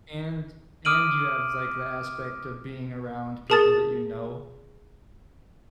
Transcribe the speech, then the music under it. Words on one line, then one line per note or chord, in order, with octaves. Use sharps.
and and you have, like, the aspect of being around people that you know,
D6 D#6 F6 D7 D#7 F#7
G#4 A#4 A5 D#6 A6